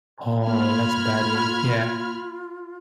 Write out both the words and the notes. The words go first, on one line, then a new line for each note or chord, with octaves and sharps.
Oh, that's a bad one, yeah.
A#3 F4 B5 F6 G#6